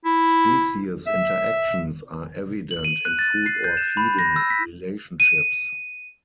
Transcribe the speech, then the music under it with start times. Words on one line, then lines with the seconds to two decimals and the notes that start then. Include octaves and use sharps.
Species interactions are evident in food or feeding relationships.
0.05 E4
1.07 E5
2.71 F#7
2.85 D#7
3.05 F#6
3.19 A6
3.46 C7
3.64 G6
3.77 E7
3.97 B5
4.19 A#6
4.36 E6
4.50 B6
5.20 D#7